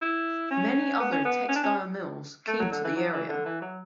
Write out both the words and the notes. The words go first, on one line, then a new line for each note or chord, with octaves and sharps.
Many other textile mills came to the area.
E4
C#4
B3
C#4
B3
C#4
D4
C#4
A3
F#3
D3
E3
F#3
E3
D3
E3
F#3